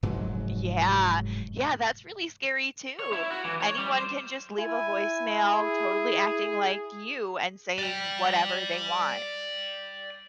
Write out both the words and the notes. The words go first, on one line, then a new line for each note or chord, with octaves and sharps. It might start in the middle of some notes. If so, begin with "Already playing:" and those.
Yeah, yeah, that's really scary, too, anyone can just leave a voicemail totally acting like you and saying whatever they want.
F1 G#2 F#3
C#5
E4
F#4
E3
C#5
G3
C5
E4 G#5
G#4
D5 G5